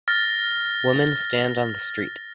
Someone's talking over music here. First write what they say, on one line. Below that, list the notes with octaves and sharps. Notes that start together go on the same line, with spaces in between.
Women stand on the street.
F6 A6 A#6